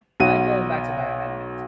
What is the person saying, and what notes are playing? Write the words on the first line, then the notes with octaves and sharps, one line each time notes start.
I am going back to my amendment.
B1 F#4 D#7